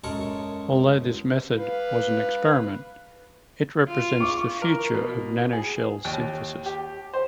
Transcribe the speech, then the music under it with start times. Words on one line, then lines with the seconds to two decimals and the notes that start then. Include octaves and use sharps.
Although this method was an experiment, it represents the future of nanoshells synthesis.
0.04 F#2 G#3 A4 A#4 C#6
1.57 B4 F5
3.87 F4
4.20 C#6 D6
4.62 A#4
4.95 B2
5.53 G#4
6.05 D#2
6.66 G4
7.14 C5